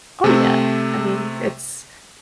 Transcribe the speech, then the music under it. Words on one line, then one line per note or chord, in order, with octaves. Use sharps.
Oh, yeah. I mean, it's
C3 A3 C4